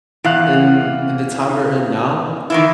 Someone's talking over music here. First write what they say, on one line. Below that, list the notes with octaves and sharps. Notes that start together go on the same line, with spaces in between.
in in the time we're in now,
E2 E3 F5 F#6
D#3 E3 E4